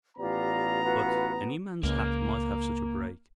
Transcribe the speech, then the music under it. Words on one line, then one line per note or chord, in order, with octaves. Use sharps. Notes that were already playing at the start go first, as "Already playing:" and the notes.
But any man's hat might have such a break.
A1 B3 F4 G4 D5 A#5
F4 F#4 B4
C#2 A#3